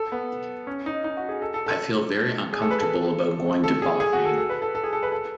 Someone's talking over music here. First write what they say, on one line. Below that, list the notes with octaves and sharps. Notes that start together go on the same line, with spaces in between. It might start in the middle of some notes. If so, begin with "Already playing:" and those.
I feel very uncomfortable about going to Bahrain.
Already playing: A4
B3
C#4
D#4
D#4
F#4
G#4
A4
A4
A4
G#4
A4
B4
A4
A4
G#4
G#4
F#4
A4
A4
B4
A4
A4
G#4
A4
B4
A4